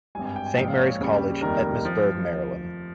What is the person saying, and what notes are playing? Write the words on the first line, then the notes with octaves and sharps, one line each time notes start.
Saint Mary's College, Emmitsburg, Maryland.
G#1 G2 G3 G#5
G#5
G5
G#5
A#1 G#2 F3 G5
F5
C#5
D#2 C#3 G3
F1 D#2 D#3 G3 A#4
F3